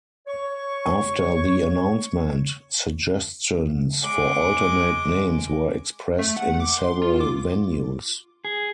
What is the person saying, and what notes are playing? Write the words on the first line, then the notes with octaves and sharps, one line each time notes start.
After the announcement, suggestions for alternate names were expressed in several venues.
C#5 C#6
G#3 D6
A3
F#5
D6
C6
F4
D6
G#4